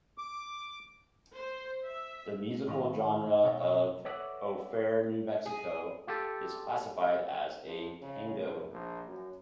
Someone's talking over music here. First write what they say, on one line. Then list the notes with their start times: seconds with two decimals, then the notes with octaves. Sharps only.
The musical genre of "O Fair New Mexico" is classified as a tango.
0.18 D6
1.33 C5
1.83 E5
2.68 A2 D#3 F5
3.44 B2 C#5 G5
4.05 A4 B4 C#5 D5 E5 F#5
5.46 G#4
6.07 F4 G4 A4
7.65 F2
8.02 C#3
8.40 F1
8.70 A#1
9.07 F#2